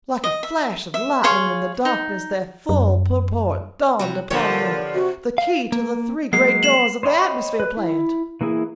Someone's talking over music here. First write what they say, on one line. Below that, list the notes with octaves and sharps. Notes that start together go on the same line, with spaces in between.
Like a flash of lightning in the darkness their full purport dawned upon me--the key to the three great doors of the atmosphere plant!
D#5
E5
E5
G#4 C#5 F5 C6
D#4
F#2
C3 G3 F#4
A#2 D3 F3 G4 B4 C#5 F#5
C3 F#4
F5
A#3
F#3 G#3 A#3 C7
C7 E7 F#7
C5 C#5 D#5 G5 B5
B4
E4
E3 A#3 E4 G#4